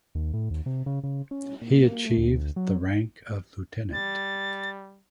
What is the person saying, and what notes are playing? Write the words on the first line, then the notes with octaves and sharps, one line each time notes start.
He achieved the rank of lieutenant.
D#2
A2
D#2
C3
C#3
C#3
C#4
A#2
A#3
A3
D2
F#3
G3 A6